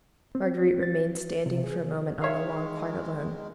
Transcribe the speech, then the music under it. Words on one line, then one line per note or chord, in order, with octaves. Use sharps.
Marguerite remained standing for a moment on the lawn quite alone.
C4
A6
C3
G#4
D#3 G#3 C#5 E5 F5